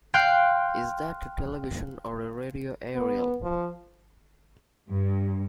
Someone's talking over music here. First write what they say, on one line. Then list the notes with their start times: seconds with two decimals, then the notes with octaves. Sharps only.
Is that a television or a radio aerial?
0.14 F5 G5 C6 F#6 G6 D7
2.96 B3
3.43 F3
4.90 G2